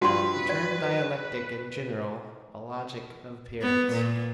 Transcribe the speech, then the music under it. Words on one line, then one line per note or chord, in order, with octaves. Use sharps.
We termed dialectic in general a logic of appearance.
G2 F3 F#4 B4 C6
D5
B3
A#2